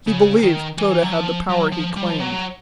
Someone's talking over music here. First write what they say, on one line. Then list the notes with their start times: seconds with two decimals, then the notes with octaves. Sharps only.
He believed Tode had the power he claimed.
0.07 C#3
0.43 D#3
0.78 E3
1.03 F#3
1.13 F3
1.49 F#3
1.72 F3
1.96 G3
2.10 F3
2.20 F#3